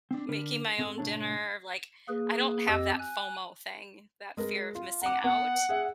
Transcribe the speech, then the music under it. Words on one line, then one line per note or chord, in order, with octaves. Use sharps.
making my own dinner, like, I don't have that FOMO thing, that fear of missing out
C4 D4
D3 D4 A#4 B4
G#2 C4 A4
C2 A2 E3 D4 C#5 A5
A#3 G#4 B4
F2 C4 G4 D#5 E6
G#5 F#6
G#3 A#4 B4
F4
F#5 A#5 D6
B3 F#5
G#4 E5